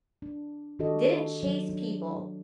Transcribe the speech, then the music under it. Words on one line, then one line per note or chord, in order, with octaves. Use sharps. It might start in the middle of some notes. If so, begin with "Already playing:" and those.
didn't chase people
D4
D#3 D4 F#4 G4 A4 D#5
F#3
D4